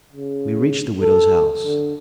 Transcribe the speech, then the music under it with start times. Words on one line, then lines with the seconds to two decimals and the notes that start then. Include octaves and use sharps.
We reached the widow's house.
0.13 C#3
1.01 A4
1.64 D3